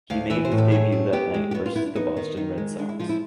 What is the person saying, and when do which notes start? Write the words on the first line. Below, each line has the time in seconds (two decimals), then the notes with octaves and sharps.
He made his debut that night versus the Boston Red Sox.
0.10 D2 F5
0.30 E3 E5
0.45 C5
0.52 A2
0.58 A4
0.72 A3 G#4
0.92 A3
1.13 B3 G4
1.34 G#3
1.51 G4
1.54 B3 F#4
1.66 F4
1.75 B3 E4
1.86 D4
1.96 B3 D#4
2.17 D#3
2.37 D#3 D#4
2.58 G#3
2.79 G#3 D4
2.89 E4
2.99 F3 F4
3.09 E4